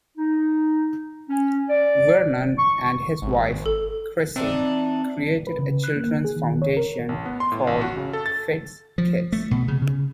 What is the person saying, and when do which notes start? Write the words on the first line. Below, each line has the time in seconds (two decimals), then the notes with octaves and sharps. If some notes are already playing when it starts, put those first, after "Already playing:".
Vernon and his wife, Chrissy, created a childrens foundation called Fidd's Kids.
0.17 D#4
1.29 C#4
1.68 D5
2.58 C#6
3.22 G#1
3.66 A4
4.36 E3 C4 D4 D#4
5.47 B4
5.59 C#3
5.84 F#6
5.96 A#3
6.24 G#4
6.36 D#3
6.62 C#5
6.77 A#4
7.09 A1
7.26 B3
7.40 C6
7.52 A2
7.67 A1
7.81 F#4
7.97 C#3
8.13 A4
8.26 A6
8.98 F3
9.32 A3
9.51 B2
9.68 C#3
9.82 C#3